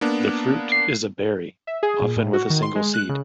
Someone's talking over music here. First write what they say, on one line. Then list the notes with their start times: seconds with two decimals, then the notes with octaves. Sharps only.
The fruit is a berry, often with a single seed.
0.01 A#3 B3 D4
0.72 C7
1.67 E5
1.83 G#4
2.01 A#2
2.17 A2
2.33 F#4
2.50 D#3
2.62 C6
2.75 G#3
2.94 F#6
3.09 C#3